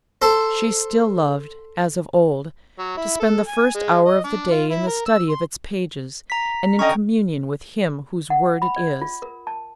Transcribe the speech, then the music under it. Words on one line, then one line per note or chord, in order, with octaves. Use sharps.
She still loved, as of old, to spend the first hour of the day in the study of its pages, and in communion with Him whose word it is.
A4 C5
F#3
E4
A4
G#5
G#3
D#5
D4
F4
E4
A#4
E6
C6
A#5 B6
D3 C#4 D#5 G5 A#5 C#6
F#5
B5
D5
F4
A#4
A5